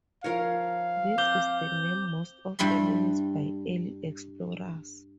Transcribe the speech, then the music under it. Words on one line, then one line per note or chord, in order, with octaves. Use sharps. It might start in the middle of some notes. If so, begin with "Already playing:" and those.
This is the name most often used by early explorers.
F3 A#4 C#5 F5
C4 D6 G6 G7
G2 G3 E4 E5 C6